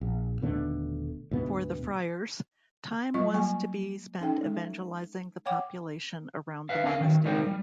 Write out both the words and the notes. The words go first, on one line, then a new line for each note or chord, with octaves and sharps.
For the friars, time was to be spent evangelizing the population around the monastery.
A#1
D#1 B2 D3 A3
D2 G#2 B2 B3
F#3 G3 F4 D#5 C#6
F#3 A#3 G#5 C#6
C#4 D#4 A4 G5
G#3
C#5 F#5 G5 D6
B4 E5 F5
C#4 A#4 F5
D#3 F#3
G#3 D#4 A#4 C5
G3